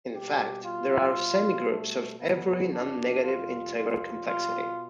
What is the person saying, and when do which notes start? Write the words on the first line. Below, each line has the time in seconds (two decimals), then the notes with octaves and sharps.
In fact, there are semigroups of every non-negative integer complexity.
0.12 B2 G3 G4
0.64 F4
1.68 A3
2.19 F2 C3 G3 B3
2.72 D4
3.24 F4
3.76 F4
4.27 B2 G3 F4